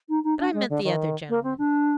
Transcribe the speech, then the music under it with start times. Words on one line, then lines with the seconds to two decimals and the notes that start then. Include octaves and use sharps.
But I meant the other gentlemen.
0.09 D#4
0.24 D#4
0.39 D4
0.53 G#3
0.69 D3
0.84 D#3
1.29 A#3
1.43 C4
1.58 D4